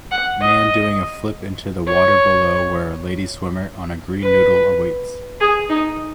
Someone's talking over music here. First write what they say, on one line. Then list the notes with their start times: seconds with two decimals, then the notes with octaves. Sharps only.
Man doing a flip into the water below where a lady swimmer on a green noodle awaits.
0.11 F#5
0.40 D#5
1.87 C#5
4.23 B4
5.41 G#4
5.69 D#4